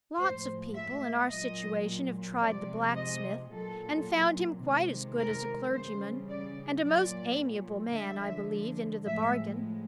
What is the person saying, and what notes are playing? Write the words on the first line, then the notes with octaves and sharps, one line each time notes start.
Lots of people in our situation have tried the blacksmith, and found him quite as good as a clergyman, and a most amiable man, I believe, into the bargain.
A2 F3 G#3 C5
E5
A#2 F#3 D#5
C3 F3 G#3 D5
D#5
A#2 F#3 A4
C3 D#3 G#3
A#4
C#3 E3 G3 C5
D5
A#2 F#3 D5
D3 F3 G#3 E5
A2 F3 G#3 E5